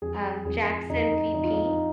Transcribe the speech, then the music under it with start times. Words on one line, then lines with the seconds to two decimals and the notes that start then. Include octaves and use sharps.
um, Jackson VP.
0.02 F2 G#4
0.45 F2 G#4
0.90 F2 D#4
1.34 F2 D#4
1.44 F4
1.53 D#4